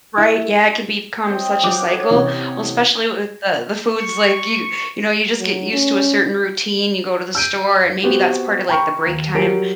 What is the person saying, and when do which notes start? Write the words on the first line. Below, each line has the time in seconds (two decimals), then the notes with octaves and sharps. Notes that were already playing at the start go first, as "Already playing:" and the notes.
Right, yeah, it can become such a cycle. Well, especially with the the foods, like, you you know, you just get used to a certain routine. You go to the store, and maybe that's part of, like, the break time,
0.17 E4
1.26 C4 D#5 G5
1.63 F#3 D#4 F#5 D6
1.91 A4 C#5 D#5
2.10 C3 E3 C#4
3.99 C#6
5.39 F#3
5.73 C#4
7.35 E6 G6 D7 D#7
8.03 B3 C4 F#4 G4
8.69 G5 A#5 B5 C#6 F6
9.05 D#2
9.34 F#3 G3 A#4 D7